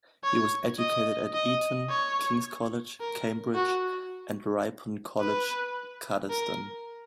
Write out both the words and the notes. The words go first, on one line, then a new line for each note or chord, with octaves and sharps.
He was educated at Eton, King's College, Cambridge and Ripon College Cuddesdon.
C#5
D#5
D#5
C#5
A#4
F#4
B4
A#4